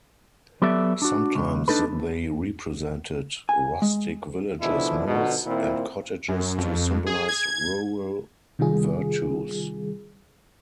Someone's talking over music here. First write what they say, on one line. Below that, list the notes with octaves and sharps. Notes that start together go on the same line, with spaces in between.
Sometimes they represented rustic villages, mills, and cottages to symbolise rural virtues.
F#3 B3 G4 A4 D5 E5
D4 F#4
C#2
D4 D#4 A4 B4
G#5
G#3
B2 D3 F3 G#3 D4 E4
B2 D3 F3 D#4 F#4
A#2 D#3 C4 E4
F#2
F2
G#4
G#6
C3 D#3 G3 F4 G#4